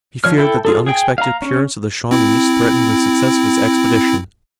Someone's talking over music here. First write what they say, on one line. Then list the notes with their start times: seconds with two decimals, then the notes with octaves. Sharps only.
He feared that the unexpected appearance of the Shawnees threatened the success of his expedition.
0.24 F3 C#5 F6
0.38 E4 A4 G5
0.65 F4 G#4 A4
0.86 G#4 G5
1.18 F5 A#5
1.42 C#4
2.11 C4 E4